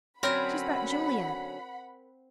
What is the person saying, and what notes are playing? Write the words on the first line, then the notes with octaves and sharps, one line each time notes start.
She's brought Julia!
D3 F#3 C4 C#4 A#4 F#5 B5